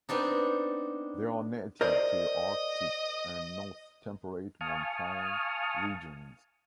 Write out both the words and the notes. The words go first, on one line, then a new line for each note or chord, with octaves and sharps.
They are native to the Arctic and north temperate montane regions.
B3 C4 D4 D#4
A#4 C5 D5 D#5
F5 G#5 A5 C#6 D#6 F6